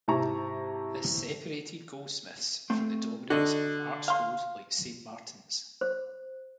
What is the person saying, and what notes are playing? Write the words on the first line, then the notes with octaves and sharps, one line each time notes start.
This separated Goldsmiths from the dominance of art schools like Saint Martins.
G#2 C3 E4 A5 A#5 C#6
A3 C4
D3 F#4 D#5
F5 C6
C5